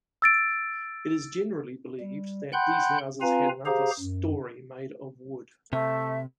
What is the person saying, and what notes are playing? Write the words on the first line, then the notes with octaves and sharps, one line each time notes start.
It is generally believed that these houses had an upper story made of wood.
E6 A6 D7
G3
F#5 G5 B5 C6 F#6 G6
C4 F4 B4 F5 G#5 A#5
G4 G#4 C5 F5 A#5
F#2
C3 A3 E5